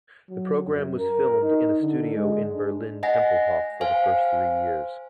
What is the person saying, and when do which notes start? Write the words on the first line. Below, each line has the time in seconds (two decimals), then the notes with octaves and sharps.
The programme was filmed in a studio in Berlin-Tempelhof for the first three years.
0.30 F#3
0.68 F#2
0.99 A#4
1.42 D#4
1.81 D3
2.15 G#3
2.53 D4
3.03 D#5 F#5 G#5 A#6
3.81 C5 F5 G#5